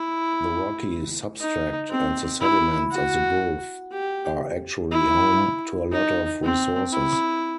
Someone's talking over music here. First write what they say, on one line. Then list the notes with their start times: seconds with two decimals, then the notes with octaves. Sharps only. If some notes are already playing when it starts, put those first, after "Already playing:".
The rocky substract and the sediments of the gulf are actually home to a lot of resources.
Already playing: E4
1.40 D#4
1.90 C4
2.41 E4
2.91 F#4
3.91 G4
4.91 E4
5.93 D#4
6.43 C4
6.93 E4